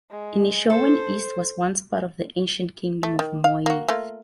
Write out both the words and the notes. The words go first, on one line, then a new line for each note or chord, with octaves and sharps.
Inishowen East was once part of the ancient kingdom of Moy Ith.
G#3
A4 C5
A3
D#3
F5
A#3 F#4
A3 A#3 F4